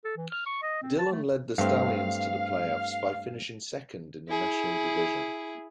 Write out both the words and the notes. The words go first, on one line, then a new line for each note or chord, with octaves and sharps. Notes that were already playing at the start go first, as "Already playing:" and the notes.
Dhillon led the Stallions to the playoffs by finishing second in the National Division.
A4
E3
F6
C#6
D#5
C4
A5
A3
G2 A3 C4 F5
E4 G#4